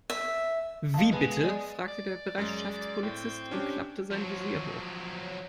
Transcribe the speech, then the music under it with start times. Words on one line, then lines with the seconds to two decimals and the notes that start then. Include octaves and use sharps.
"Wie bitte?", fragte der Bereitschaftspolizist und klappte sein Visier hoch.
0.10 E5
0.94 B1 F5 A5
1.13 G#3 B3 G#5
1.43 D5 D#5 G#5
1.88 D5
2.38 F#2 G#3
3.03 A2 C4
3.51 C#4 D4 G4
4.11 F3 F#3